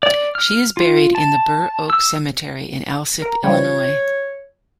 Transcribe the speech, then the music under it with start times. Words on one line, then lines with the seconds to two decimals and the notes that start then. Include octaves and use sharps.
She is buried in the Burr Oak Cemetery in Alsip, Illinois.
0.03 D5
0.35 F6
0.77 F4
1.15 A5
1.90 E6
3.22 A#4
3.44 E3 F3 G3 C#5